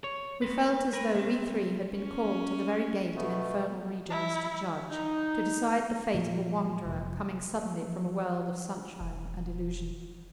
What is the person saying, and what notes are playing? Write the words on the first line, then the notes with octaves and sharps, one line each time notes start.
We felt as though we three had been called to the very gate of Infernal Regions to judge, to decide the fate of a wanderer coming suddenly from a world of sunshine and illusions.
C#5
C4 B4
A#4 B4
G3 C4
C#4
B2 A3 B3
E4
D#4
A#2 F3
F1
F3
E1